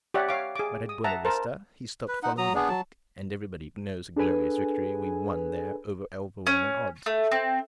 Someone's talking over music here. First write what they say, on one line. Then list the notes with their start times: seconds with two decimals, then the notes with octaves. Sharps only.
But at Buena Vista he stopped falling back, and everybody knows the glorious victory we won there over overwhelming odds.
0.14 G4 C#5 D5 E5 F#5
0.29 C#5 F5 D6
0.56 G#4 D6
0.89 D#6
1.04 E5 F#5 A5 A#5
1.25 A#4 C5 A5
2.08 B4
2.23 D#4 F#5
2.38 F#3 A#5 D#6
2.55 B3 D4 G#4
2.69 F#3 A5
4.16 D4 G#4 A4 B4 G#5
6.47 C#4
7.06 A3
7.31 C4